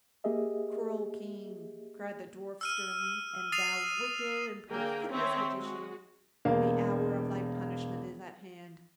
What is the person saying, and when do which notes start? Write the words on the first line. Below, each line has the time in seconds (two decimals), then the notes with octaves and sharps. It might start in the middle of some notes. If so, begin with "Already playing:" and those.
"Cruel King!" cried the dwarf sternly, "and thou, wicked and perfidious magician, the hour of thy punishment is at hand."
0.24 A#3 G4 G#4 D#5 E5
2.61 E6 F6 D#7
3.52 D#6 A6 C7 D#7 F7
4.69 D3 A#3 G#4 A#4 G5
5.11 D#3 C4 C#4 C#5 E5
5.56 G#3 F#4
6.45 E1 A#3 F5